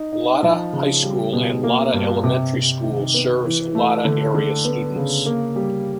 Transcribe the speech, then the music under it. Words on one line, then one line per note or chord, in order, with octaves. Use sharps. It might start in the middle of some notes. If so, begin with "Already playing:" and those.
Latta High School and Latta Elementary School serves Latta area students.
Already playing: D#4
D#4
F3
C#3
G3
B2
A#3
G2
C3
C3
D#3
B3
E3
A3
D3
D3
B3
C#3
A#3
G3